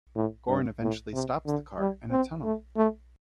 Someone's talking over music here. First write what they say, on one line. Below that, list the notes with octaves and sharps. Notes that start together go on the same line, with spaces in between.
Goran eventually stops the car in a tunnel.
A2
G2
A2
C3
D3
G3
C4
A3
A3